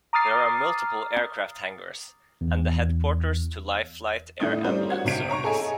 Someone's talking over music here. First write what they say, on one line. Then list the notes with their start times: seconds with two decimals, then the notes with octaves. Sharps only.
There are multiple aircraft hangers and the headquarters to Life Flight air ambulance service.
0.13 A#5 D6 D#6 F6 A6 C7
2.41 E2
4.40 A2 D#3 A3 D5 D#6
4.64 G3 C4 C#4 A#4 C5 D5
4.90 F#4 F#5 G#6
5.05 B1 C3 D7
5.29 C#5 A#5 C#6
5.44 G#4 A4 D#5 G#5